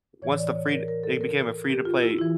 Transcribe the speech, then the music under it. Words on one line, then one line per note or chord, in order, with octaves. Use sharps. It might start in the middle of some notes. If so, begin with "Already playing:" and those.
once the free it became a free-to-play
A2 E3 C#5
D5
C#5
A#4
A#4
A4
A#4
G4
F4
E4
E3 E4